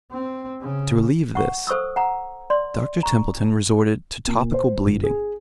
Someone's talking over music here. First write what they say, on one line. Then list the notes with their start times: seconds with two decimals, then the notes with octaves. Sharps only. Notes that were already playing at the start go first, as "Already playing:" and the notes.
To relieve this, Dr. Templeton resorted to topical bleeding.
0.11 C4
0.62 C#3
1.35 F#5 C#6
1.67 A4 C5 C#6 D#6 E6
1.96 F#5 A#5
2.50 D5 C6
3.03 A#5 C#6
4.27 A#2
4.54 C5
4.86 G1
5.04 G#4